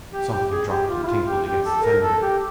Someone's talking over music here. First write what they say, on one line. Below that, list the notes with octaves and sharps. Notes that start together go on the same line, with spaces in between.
Something dropped and tinkled against the fender.
G4
G4
G#4
G4
F4
E4
F4
G4
G4
A4
A#4
A4
G4